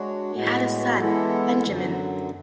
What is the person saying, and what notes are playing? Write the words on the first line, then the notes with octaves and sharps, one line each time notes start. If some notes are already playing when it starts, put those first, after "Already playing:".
They had a son, Benjamin.
Already playing: G#3 D4 F#4 C#5
A2 G#3 B3 F#4
E3 G#3 B3 E4 A4
F#2 D3 F#3